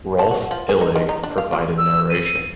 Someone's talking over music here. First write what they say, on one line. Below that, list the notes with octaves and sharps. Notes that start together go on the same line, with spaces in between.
Rolf Illig provided narration.
A5
F#4
F3
G#4
D#4
D#3
D#4
D4
F5
F4
E6
D#7